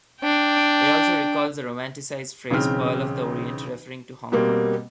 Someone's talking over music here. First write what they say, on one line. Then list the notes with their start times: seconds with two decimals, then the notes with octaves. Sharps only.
It also recalls the romanticised phrase "Pearl of the Orient" referring to Hong Kong.
0.21 D4 G5
2.50 B1 C#3 E3 C4 F6
4.32 B2 G3 A#3 C4